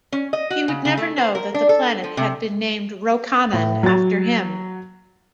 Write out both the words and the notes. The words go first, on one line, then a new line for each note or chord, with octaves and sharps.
He would never know that the planet had been named Rokanan after him.
C#4
D#5
F#4
C#3
C#3
A3
C5
A#4
D4
A4
F3
C3
A2
F#3 A6